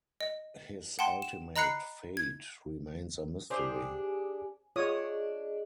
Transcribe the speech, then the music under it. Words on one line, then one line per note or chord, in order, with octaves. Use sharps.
His ultimate fate remains a mystery.
D#5
F#5 G5 A5 C6
E7
D#5 A#5 B5 F#6 C7 C#7
G#6
D4 G4 G#4 C5 G#5
D4 F4 G#4 C#5 D#5 D#6